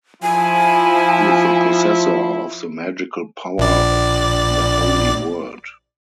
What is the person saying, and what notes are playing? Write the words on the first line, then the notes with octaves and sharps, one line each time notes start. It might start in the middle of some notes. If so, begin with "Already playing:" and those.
He is the possessor of the magical power of the holy word.
F3 E4 G#5
A#1 D5